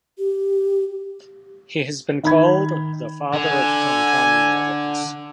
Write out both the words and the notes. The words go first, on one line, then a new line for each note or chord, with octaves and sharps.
He has been called "the father of Konkani novels".
G4
D#3 B5 G#6
D3 G#5